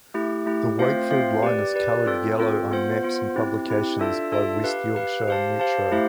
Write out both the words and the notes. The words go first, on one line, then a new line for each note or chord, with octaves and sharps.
The Wakefield line is coloured yellow on maps and publications by West Yorkshire Metro.
A3 E4 G4
A3 E4 G4
A3 C4 F4 C5 F5
A3 C4 F4 C5 F5
G4 B4 D5
G4 B4 D5
C4 F4 A4
C4 F4 A4
B3 F4 C5
B3 F4 C5
C4 E4 G4
C4 E4 G4
D4 F4 A4 E5 A5
D4 F4 A4 E5 A5
G4 B4 F5
G4 B4 F5
G4 C5 F5 A5
G4 C5 F5 A5
A3 E4 G4 C5 F5